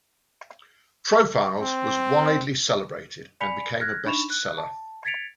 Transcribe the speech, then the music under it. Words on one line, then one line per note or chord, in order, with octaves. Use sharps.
"Profiles" was widely celebrated and became a best seller.
C4
D5 G#5 B5 B6 C#7 F7
F6 F#6 G#6 A#6
D4 D#4 B5 C#6 E7 F7
F#6
A5
G#6 A6 B6 C#7 D7 F7